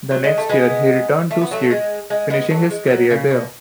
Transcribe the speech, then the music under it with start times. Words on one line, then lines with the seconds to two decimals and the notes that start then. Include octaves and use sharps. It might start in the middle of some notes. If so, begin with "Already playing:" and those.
The next year he returned to Skeid, finishing his career there.
0.11 F#3
0.24 G#3
0.38 A3
0.49 G#3 B3
1.31 A3
1.41 B3
1.51 F#3 A3
1.70 G#3
2.10 G#3
2.30 G#3 B3
2.50 F#3 A3
2.70 G#3
2.86 E3
2.90 F#3
3.10 C#3
3.30 B2